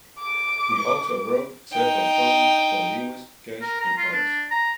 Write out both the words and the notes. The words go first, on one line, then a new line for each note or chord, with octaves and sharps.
He also wrote several songs for Lewis, Cash, and others.
D6
D#4 G5
A#4
A#5
F4
D4
A#5